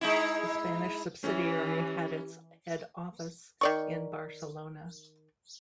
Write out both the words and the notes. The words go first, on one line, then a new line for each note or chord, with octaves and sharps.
The Spanish subsidiary had its head office in Barcelona.
G#3 D#4 E4
E3 C#4 G4
D#3 D5 C#6